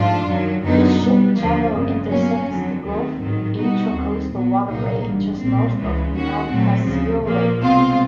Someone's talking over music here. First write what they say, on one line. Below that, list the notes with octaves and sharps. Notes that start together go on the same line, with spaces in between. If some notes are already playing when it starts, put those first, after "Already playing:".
The ship channel intersects the Gulf Intracoastal Waterway just north of Calcasieu Lake.
Already playing: G#2 F3 A3 D4 F4
F#2 D#3 F#3
F#2 D3 F#3 B3 D#4
B2 G3 B3
D#2 D3 F3 A#3
G1 F2 C#3
B2 F#3 A#3 C#4
F2 D3 F#3
D#2 D#3 F#3 A3 C4
A1 G#2 D#3 F#3
B2 G3 B3 D#4 F#4
D#2 D#3 G3 C4
A#1 A#2 F#3 B3
C2 A#2 F#3 A#3 D#4
A1 G2 D3
B1 A#2 G3 C4
C#2 C#3 E3 G#3
D#2 D#3 G#3 C#4 F#4
A#2 F#3 A3 C4
D2 C#3 F3
A#1 A#2 F3 A#3
C2 B2 G#3 C4 F4